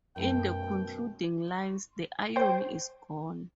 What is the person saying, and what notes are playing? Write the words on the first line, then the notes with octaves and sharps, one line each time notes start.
In the concluding lines the irony is gone.
F#2 B2 A3 G5
C5 G5